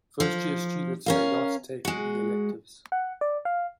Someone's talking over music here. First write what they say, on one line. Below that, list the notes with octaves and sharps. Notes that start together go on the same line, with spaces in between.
First-year students may not take any electives.
F3
C#4 A#4 F5
G#3 F#4
F#5
D5
F5